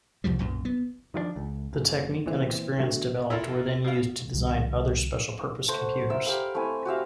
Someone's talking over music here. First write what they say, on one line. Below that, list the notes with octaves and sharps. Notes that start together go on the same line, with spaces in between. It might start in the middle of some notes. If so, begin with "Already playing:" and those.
The technique and experience developed were then used to design other special-purpose computers.
C2 F2 F3 G3
B1 F#2 A#2
B3
D#3 F3 G3 D4
C#2
F#1
A#2 E3 C4
B2 D3 F#3 A3
E4 F4 A4 A#4
B2 F5
C2 D3 E3 G3
A3 C5 F#5
A#4 C5 E5
G4 A#4 F5 B5
A3 C4 E4 G#5
F#4 G4 E5 F5